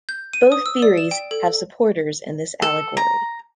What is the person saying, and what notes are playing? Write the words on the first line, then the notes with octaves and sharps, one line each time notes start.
Both theories have supporters in this allegory.
G6
D#7
D#6
E6
D5
E7
G5
A4
A4
A#5